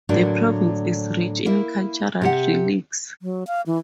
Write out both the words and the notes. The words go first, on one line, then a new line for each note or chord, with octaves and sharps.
The province is rich in cultural relics.
A2 D3 F#3 A#3 D4
A#3 E4
C3 G4 F#5
F#3
F5
E3